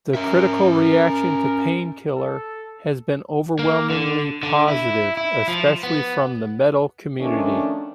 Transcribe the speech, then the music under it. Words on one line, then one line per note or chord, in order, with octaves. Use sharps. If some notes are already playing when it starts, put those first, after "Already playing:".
The critical reaction to Painkiller has been overwhelmingly positive, especially from the metal community.
C#4 A#4 E5
A#4
A4
A#3
D3
D3
E4
E4
F3
B3
D#3 F3 A3 C#4 D4